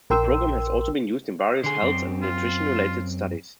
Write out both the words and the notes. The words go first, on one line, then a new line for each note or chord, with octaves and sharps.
The program has also been used in various health and nutrition-related studies.
A#1 A#4 G5 C6 E6
D3 G#4 C6
F#2 C4
F4